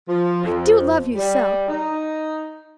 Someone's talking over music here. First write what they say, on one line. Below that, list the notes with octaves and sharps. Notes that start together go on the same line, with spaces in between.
I do love you so!
F3
F2
G3
D#4